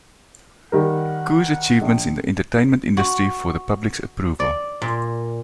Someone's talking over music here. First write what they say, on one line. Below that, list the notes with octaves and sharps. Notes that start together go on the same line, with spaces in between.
Ku's achievements in the entertainment industry for the public's approval.
D#3 G3 A#4 F#5
A#1
F#4
D5
A#2